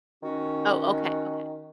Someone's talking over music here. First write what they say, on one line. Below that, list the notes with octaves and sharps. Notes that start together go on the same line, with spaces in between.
Oh, okay, okay.
D#3 C#4 F#4